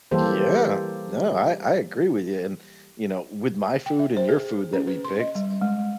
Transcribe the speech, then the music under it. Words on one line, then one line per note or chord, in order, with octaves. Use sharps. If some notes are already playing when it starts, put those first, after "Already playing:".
Yeah. No, I I agree with you, and, you know, with my food and your food that we picked,
E3 G3 A#3 G4 A4 C5
G5
E5
C5
G#4
C#4
B4
C6
D#5
G3
G#3